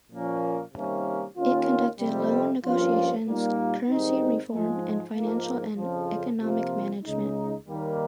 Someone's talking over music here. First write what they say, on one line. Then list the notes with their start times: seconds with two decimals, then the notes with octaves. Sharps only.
It conducted loan negotiations, currency reform, and financial and economic management.
0.11 A#2 F3 A#3 C#4
0.74 C3 D#3 G3 A#3 C#4
1.37 D#2 D#3 A#3 C#4 F4
2.00 F2 C3 G3 C4
2.63 G2 F3 A#3 C#4 F4
3.25 A#2 G3 A#3 D#4
3.89 G#2 D#3 G3 C4 D#4
4.51 G#2 F3 G#3
5.14 G#2 F3 A#3
5.77 F2 C#3 F3
6.40 C3 F3 A#3 F4
7.03 C#2 C#3 G#3 D#4
7.66 D#2 D#3 G3 A#3